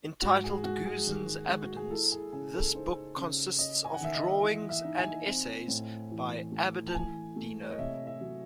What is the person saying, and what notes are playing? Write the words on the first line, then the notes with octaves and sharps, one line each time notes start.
Entitled "Guzin's Abidins", this book consists of drawings and essays by Abidin Dino.
G#2 F#4
G#4
G#3 F#4
G#4
D#3
G#3
F#4
G#4
E4 A4
G#4
C#3 G#4
A4
D#4 C5
C#3
C#4 D#5
G#5
F#5
D#3 E5
D#5
E3
E5
D#4
G#5
C4
A2
E3
A3
A5
E3 G#5
A3
C#5
D#5
C3 E5
E5
F#3